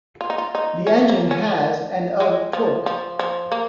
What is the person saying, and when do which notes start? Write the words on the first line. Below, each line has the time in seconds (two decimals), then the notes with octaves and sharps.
The engine has and of torque.
0.21 F4
0.30 D#4
0.38 F4
0.55 D#4
0.87 C#4
1.09 A#3
1.31 C#4
2.20 G#3
2.53 F3
2.86 F3
3.19 F3
3.52 A#3